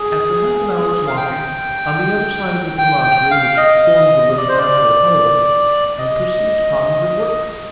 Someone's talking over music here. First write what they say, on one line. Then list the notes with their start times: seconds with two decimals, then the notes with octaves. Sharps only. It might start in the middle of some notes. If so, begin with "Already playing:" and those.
After half an hour's walking, on the other side of the promontory which formed the little natural harbour, I perceived Hans at work.
Already playing: G#4
1.07 F5
1.17 G5
2.78 G5
3.04 G5
3.31 F5
3.57 D#5
4.37 D5
4.49 C5
4.58 D5
5.98 D#5